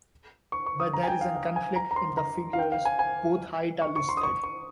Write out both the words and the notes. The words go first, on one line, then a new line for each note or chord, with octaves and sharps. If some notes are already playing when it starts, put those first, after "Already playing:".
Where there is a conflict in the figures both heights are listed.
C#6
C#6
D#6
A#5
G#5
G5
F5
F5
G#5
A#5
A#5
C6
A#5
F5
G5
F5
G#5
G#5
C#6
C#6
C6
D#6
C#6
C#6